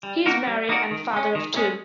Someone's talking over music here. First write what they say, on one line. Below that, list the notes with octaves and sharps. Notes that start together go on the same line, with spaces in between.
He is married and father of two.
G3
A#3 D#4 F#4 A#4
G3
A#3 D#4 F#4 A#4
D#3
G#3 C#4
D#3
G#3 C#4